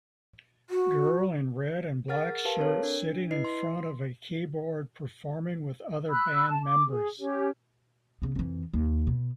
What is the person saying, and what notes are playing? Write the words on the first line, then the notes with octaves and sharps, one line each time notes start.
Girl in red and black shirt sitting in front of a keyboard performing with other band members.
F#4
G#4 A#4 F#5 F6 A6
G4 A#4 B4 F5 A5
C4 A4 A#4 C#5
D4
E4 B4 D#5 C7
C6
B5 E6 F#6
A5
D6
G#4
C#4 G4 C#5
C#3 B3
F2 E3
D#2
B2